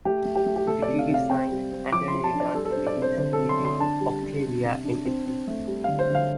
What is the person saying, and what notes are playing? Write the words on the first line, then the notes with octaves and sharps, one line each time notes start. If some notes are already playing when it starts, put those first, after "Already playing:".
With the Treaty signed, Antony returned to the East, leaving Octavia in Italy.
A3 G4
A3
G4
A3
G4
A3 A4
D5
C3
F5
C3 F5
C4 G5
G3
C4
F3 D6
C6
F3
A5
D4
D5
G3 A4
A4
C5
D4
D5
C3
C5
D3 C5
A4
C4
C6
D3
C6
D4 A5
G3
D4
C3
C3
D4
C4
C4
A3
G3
D3 F5
C5
D3
F5